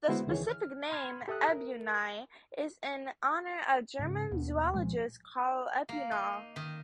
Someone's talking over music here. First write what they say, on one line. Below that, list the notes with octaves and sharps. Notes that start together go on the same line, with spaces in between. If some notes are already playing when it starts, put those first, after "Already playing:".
The specific name, "ebenaui", is in honor of German zoologist Karl Ebenau.
D3 G#3 B3 E4 F#4 C5
C#2 D#3 E3 G#4 C#5
F6
B5 C6 F6 G#6
G4 A4 E5 D#6 F#6
A#4
G#2 C#3
D#2 B2
C2 A#2 F3 G#3
A#3
D#4
D#3